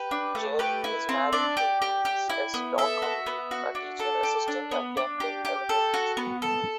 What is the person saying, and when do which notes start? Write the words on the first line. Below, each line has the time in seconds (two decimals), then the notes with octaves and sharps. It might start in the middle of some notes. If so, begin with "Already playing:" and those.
Jerry is married to Louise S. Dockham, a teacher assistant at Denton Elementary School.
Already playing: G4 B4
0.11 D4
0.35 A3
0.59 G4 B4
0.84 E4
1.09 C4
1.32 D4 D5
1.57 G4
1.82 G4
2.05 G4
2.29 E4
2.54 B3
2.78 A4 E5
3.02 F#4
3.26 B3
3.51 F#4
3.75 D4
3.99 A4
4.23 G4
4.48 D4
4.71 B3
4.97 D4
5.20 G4
5.45 G4
5.69 A4
5.94 F#4
6.17 B3
6.42 A4